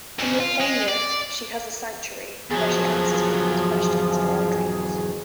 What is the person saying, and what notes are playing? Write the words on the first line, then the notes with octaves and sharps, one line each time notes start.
In Laconia, she has a sanctuary, where she answers people's questions about dreams.
F2 C#3
F4
G#3
D5
E2 F3 F#3 G#4